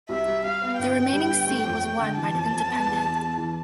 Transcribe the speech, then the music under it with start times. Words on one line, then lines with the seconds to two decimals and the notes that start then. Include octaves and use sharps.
The remaining seat was won by an Independent.
0.09 C2 E5
0.26 G3
0.44 G3 F5
0.62 B3
0.78 G1 G5
0.96 G1
1.13 G2
1.30 G1
1.47 A3
1.65 F2
1.82 A3
1.99 D3
2.17 E3 A5
2.34 F2
2.52 F2
2.68 B3
2.86 E2
3.04 E2
3.21 E2
3.38 E3